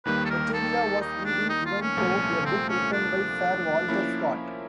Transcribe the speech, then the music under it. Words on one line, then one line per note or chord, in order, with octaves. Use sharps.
Otelia was reading "Ivanhoe", a book written by Sir Walter Scott.
D#2 D#3 G3 A#3 B4
A4
A#4
A4
D#4
D4
D#4
F4
C#4
C2 A#2 F3 A3
C4
C#4
D4
F3 A#3 C#4 E4